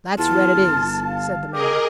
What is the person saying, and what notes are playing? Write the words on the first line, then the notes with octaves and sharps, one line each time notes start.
"That's where it is," said the man.
E2 F4 A5
G1
F5
G4 G#4 A#4 D#5